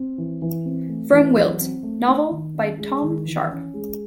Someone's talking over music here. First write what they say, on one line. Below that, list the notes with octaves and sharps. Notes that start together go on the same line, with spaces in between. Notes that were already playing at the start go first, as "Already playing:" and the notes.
From Wilt, novel by Tom Sharpe.
Already playing: C4
E3
E3
C4
A3
E3
F#3
C4
A3
D#4
D#3
C#4
G#3
D#3
E3
C#4
G#3